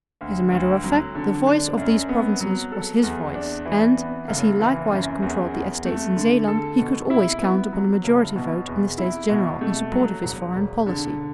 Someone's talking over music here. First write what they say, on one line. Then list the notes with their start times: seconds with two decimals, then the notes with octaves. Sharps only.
As a matter of fact, the voice of these provinces was his voice; and, as he likewise controlled the Estates in Zeeland, he could always count upon a majority vote in the States-General in support of his foreign policy.
0.21 D2
0.52 D2
0.84 F#3
1.15 D3
1.47 D4
1.77 F#2
2.09 B3
2.41 F#3
2.72 A4
3.03 E2
3.34 D4
3.65 E3
3.97 B3
4.28 F#1
4.60 E3
4.91 F#2
5.22 E2
5.54 E2
5.85 A3
6.16 D3
6.48 A4
6.79 B2
7.10 E4
7.42 B3
7.73 F#3
8.04 F#1
8.36 B2
8.67 E2
8.98 E4
9.30 B2
9.61 A3
9.92 F#3
10.24 E1
10.55 E1
10.86 D3